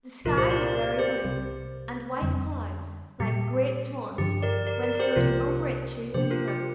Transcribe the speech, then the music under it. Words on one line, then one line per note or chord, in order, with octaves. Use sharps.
The sky was very blue, and white clouds, like great swans, went floating over it to and fro.
C2 A#2 F3 F4 A#4
G4 C5
A#4 D5
A#4 D5
A#4 D5
G4 C5
C2 C3 G3
F2 D3 G3 C4
A#2 G3 A#3 G4
G2 D3 F3 D4 G4
A#4 D5
A#4 D5
A#4 D5
A#4
G4 C5
C2 C3 F3 A#3 F4 A#4
C3 F3 A#3 D4 G4 C5
F4 A#4
G4